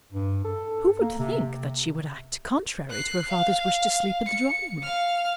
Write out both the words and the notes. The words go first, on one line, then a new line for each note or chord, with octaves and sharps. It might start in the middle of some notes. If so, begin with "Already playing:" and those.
Who would think that she would act contrary to her father's wish to sleep in the drawing-room?
G2
A4
A#3
C3
F#6 C7
F5
C#7
F5 F6